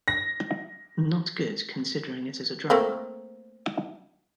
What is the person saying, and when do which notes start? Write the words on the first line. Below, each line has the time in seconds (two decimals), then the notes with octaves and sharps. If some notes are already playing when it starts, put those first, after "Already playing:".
Not good considering it is a drama.
0.08 A#6
2.70 A3 A#3 C4